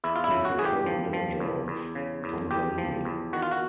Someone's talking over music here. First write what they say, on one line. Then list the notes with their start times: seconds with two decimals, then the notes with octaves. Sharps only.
He is the current manager of Tombense.
0.04 E2 E4
0.16 F4
0.24 E4
0.31 C#3
0.45 F#4
0.58 E2 G#4
0.65 G4
0.86 F3
1.13 F3
1.40 E2
1.68 E2
1.95 C#3
2.24 E2
2.51 E2 G4
2.78 F3
3.05 E2
3.33 D#3 F#4
3.42 F4
3.51 F#4